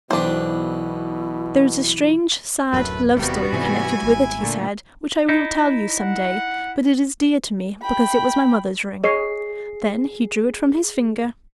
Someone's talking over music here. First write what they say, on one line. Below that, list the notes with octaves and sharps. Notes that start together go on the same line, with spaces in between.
"There is a strange, sad love-story connected with it," he said, "which I will tell you some day; but it is dear to me, because it was my mother's ring." Then he drew it from his finger.
B1 B2 E3 D4 E4 G4 C5
D1 F#2 A3 B4
D#1 C3 G3 A#3 B3 F#4 G5
G#2 C3 E3 E4 G#5
G#1
A#2 D3 A3
D#4 E4
F#5
G5 B5
G#4 C#5 D#5 C7